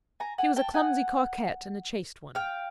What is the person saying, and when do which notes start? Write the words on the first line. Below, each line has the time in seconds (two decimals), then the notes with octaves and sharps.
She was a clumsy coquette and a chaste one.
0.20 G#5 A#5
0.38 F#5 G#5
0.56 G5 A5
0.74 F#5 G#5
2.35 F5 G5